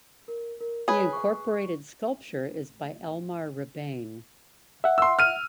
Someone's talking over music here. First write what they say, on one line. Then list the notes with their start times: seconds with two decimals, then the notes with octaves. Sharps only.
The incorporated sculpture is by Elmar Rebane.
0.28 A#4
0.60 A#4
0.88 G#4 B4 C#5
1.13 C#6
4.84 E5 F#5
4.98 C6 E6
5.19 F6 D#7